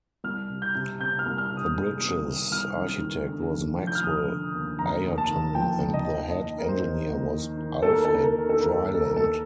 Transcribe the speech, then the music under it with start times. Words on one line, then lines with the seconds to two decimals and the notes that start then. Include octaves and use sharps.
The bridge's architect was Maxwell Ayrton and the head engineer was Alfred Dryland.
0.24 C2 F6
0.50 C3
0.62 G6
0.75 C3
1.00 C3 G6
1.19 F6
1.26 C2
1.38 F6
1.50 C3
1.57 D#6
1.76 C2
2.01 C2
2.27 D#3
2.51 C2 F6
2.77 D#3
3.02 D#3
3.28 D3
3.53 F1
3.78 F3
3.87 G6
3.95 F6
4.03 F1 D#6
4.28 D3
4.54 D#2
4.79 F1 A#5
5.04 D#2
5.18 A5
5.30 D#2
5.55 F3 G5
5.80 F1
5.94 D#5
6.06 F3
6.31 D#2 D#5
6.56 D#3 A#4
6.68 C5
6.81 D#2
7.07 D#2
7.32 D#3
7.57 D#3
7.83 D#2 A4
7.93 A#4
8.05 D#2 A4
8.16 A#4
8.28 A4
8.33 D#3
8.38 A#4
8.49 A4
8.59 D#3 A#4
8.72 A4
8.84 D#2 A#4
8.95 A4
9.05 D#2 A#4
9.16 A4